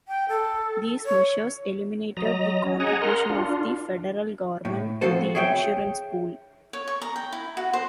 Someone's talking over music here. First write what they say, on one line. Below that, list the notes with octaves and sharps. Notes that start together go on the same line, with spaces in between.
These measures eliminated the contribution of the federal government to the insurance pool.
G5
A4
C#5
F#3 D#5 A#5
C#4
G#4 D#5 F#5 G#5 A#5
A#4 F#5 A#5 C6
D4 F4
A2
F3 C4 F4 F#4 A4 C5
G#4 C#5 E5 F#5 G5
C#5
C#6
A#5
G5
E4
F#4
C5